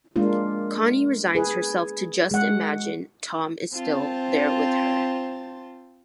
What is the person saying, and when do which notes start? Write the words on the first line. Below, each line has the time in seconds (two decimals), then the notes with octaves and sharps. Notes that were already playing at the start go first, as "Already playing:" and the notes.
Connie resigns herself to "Just Imagine" Tom is still there with her.
0.16 G#3 A#3 D4 F4
1.35 G#4 B4
2.31 G#3 F#5
3.74 C4 F4 C5 A5